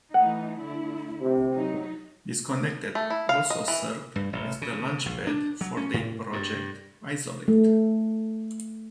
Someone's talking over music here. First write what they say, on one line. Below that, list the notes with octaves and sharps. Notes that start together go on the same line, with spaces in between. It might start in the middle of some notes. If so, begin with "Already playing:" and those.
"Disconnected" also served as the launch pad for their project "Isolate".
E3 A3 D#4 F#5
D3 A3 E4
C3
F#3 D#4
A3
E4
F5
D#5
E3
G2
A1
C#3
A#1
D4
F#3
C#4
A2
G2
A3